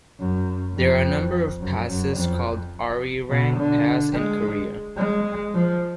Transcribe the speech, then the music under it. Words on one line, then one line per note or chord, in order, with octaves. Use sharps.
There are a number of passes called "Arirang Pass" in Korea.
F#2
F2
F#2
F#2
F2
B2
D3
G#3
G#3
F3